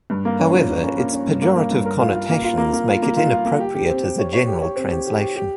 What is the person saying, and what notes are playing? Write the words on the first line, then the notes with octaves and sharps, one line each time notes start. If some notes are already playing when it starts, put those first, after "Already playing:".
However, its pejorative connotations make it inappropriate as a general translation.
G2
A#3
C#4
F3
F3
C#4
A#3
C#4
G2
A#3
A#3
G2
A#4
F4
F4
A#3
F4
A#3
A#3
F4
A#3
F4
F4
A#3
G4
G4
C4
G4
C#5
C#5
G4
C#5
C4
G4
G4
G4
G4